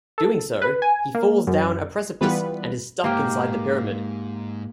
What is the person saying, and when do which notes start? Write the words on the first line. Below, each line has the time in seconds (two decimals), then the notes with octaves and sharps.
Doing so, he falls down a precipice and is stuck inside the pyramid.
0.18 A4
0.62 B4
0.82 G#5
1.15 A#3
1.47 F#2
2.21 E3 G3 B3 F4 B4
3.04 G#2 A#3 G4